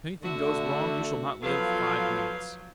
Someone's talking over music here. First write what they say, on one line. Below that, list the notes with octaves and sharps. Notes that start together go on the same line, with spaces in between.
If anything goes wrong you shall not live five minutes.
D3 A3 F#4 E5
F3 F#3 B3 F4 A4 B4 F5